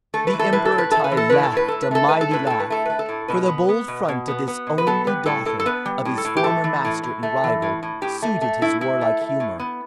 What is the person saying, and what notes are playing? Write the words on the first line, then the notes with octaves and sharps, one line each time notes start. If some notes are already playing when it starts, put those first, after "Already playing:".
The Emperor Tai laughed a mighty laugh, for the bold front of this only daughter of his former master and rival, suited his warlike humor.
A3 A4
B4
E3
A4
A2 B4
A4
A2
B4
A3 A4
B4
E3
A4
A2 B4
A4
A2 B4
A2 A4
B4
A3 A4
A3 B4
A4
A2 B4
A2 A4
B4
A3 A4
A3 B4
A4
A2
B2 B4
B3
B3
B2
B2
B3
B3
B2
B4
B3 A4
G3 B4
A2 A4
A2 A4
A4
B3 B4
G3
A2
A4
A2
G4
A3 A4
E3
A2
A2
A3
E3
A2
A2
A2 G4
A3
A3
A2 E4
A2 E4
A3
A3
A2
B3